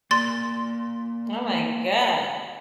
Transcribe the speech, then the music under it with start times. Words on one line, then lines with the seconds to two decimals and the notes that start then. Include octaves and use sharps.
Oh, my god.
0.11 A#3 D5 C6 A6